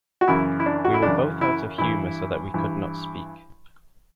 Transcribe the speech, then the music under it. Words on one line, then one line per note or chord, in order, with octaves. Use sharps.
We were both out of humour so that we could not speak.
F#4
F#2 C#3 E3 E4
E4
D4
F#4
E4
F#2 C#3 E3 D4
E4
G2 E3 E4
G2 E3